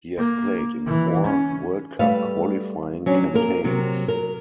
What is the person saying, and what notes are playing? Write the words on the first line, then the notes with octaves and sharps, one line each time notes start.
He has played in four World Cup qualifying campaigns.
A#3
E3
C#4
G3 A3 B4 F5
F#3 C#4 D4
A#3 A#4
C3 F#3
A#4